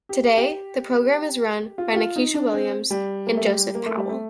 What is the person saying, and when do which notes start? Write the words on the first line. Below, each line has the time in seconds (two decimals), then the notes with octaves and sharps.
Today, the program is run by Nikisha Williams and Joseph Powell.
0.09 G4
0.37 G4
1.78 F4
1.92 G4
1.96 F4
2.16 D#4
2.34 D4
2.53 C4
2.90 G3
3.27 A#3
3.37 A3
3.47 G3
3.75 A#3
3.86 A3
3.97 G3
4.09 A3